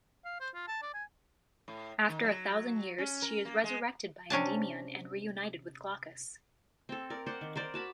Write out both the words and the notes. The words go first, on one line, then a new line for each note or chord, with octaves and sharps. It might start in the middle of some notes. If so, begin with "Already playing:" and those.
After a thousand years, she is resurrected by Endymion and reunited with Glaucus.
F5
C5
F4
A5
D5
G#5
A2
D#3
F#3
C#4
A#4
A#3
G#3
C3 C#4 D4 A5
C4 A4
A#4 D5
C5 D5 F#5
D#3
A#4 C5 D5
F#4 A5 B5